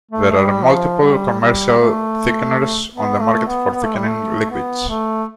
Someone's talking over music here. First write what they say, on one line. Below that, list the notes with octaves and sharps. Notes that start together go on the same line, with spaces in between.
There are multiple commercial thickeners on the market for thickening liquids.
A3
A3
G3
F3
G3
G3
A3
B3
A3
B3
B3
A3
G3
A3
B3
A3